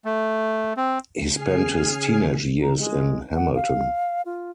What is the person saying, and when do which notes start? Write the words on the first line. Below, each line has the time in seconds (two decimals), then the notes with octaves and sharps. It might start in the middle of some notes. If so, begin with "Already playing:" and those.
He spent his teenage years in Hamilton.
0.05 A3
0.77 C4
1.31 C#3 G#4 G#5 F6 C7
2.62 A#5
2.78 G#3
3.35 F#5
3.55 F5
4.26 F4